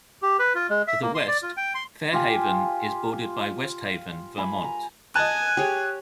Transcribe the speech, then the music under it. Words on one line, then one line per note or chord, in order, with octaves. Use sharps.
To the west, Fair Haven is bordered by West Haven, Vermont.
G4
B4
F4
G#3
E5
A#3
C6
D5
F4
G5
C6
F4 G4 G#5
G#5 B5
A#5
D#5 G#5 A5 F#6
G4 G#4 C#5